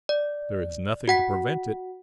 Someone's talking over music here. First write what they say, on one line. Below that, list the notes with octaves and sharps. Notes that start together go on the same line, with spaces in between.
"There is nothing to prevent it."
D5
F#4 F#5 B6